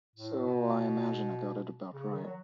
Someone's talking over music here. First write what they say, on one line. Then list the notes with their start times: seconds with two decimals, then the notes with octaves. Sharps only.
So I imagine I got it about right.
0.16 A2
0.46 B2
1.93 C#3
2.12 D#3
2.26 F#3